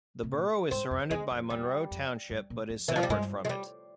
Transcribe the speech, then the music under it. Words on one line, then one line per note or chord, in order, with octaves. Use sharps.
The borough is surrounded by Monroe Township but is separate from it.
C3
A#2
G#2 C4
F2
E2 G#3
F2
E2 G3
F2
G2
A#2
F2
G2 E3
F3
G3
G2 G#3
G#3
G3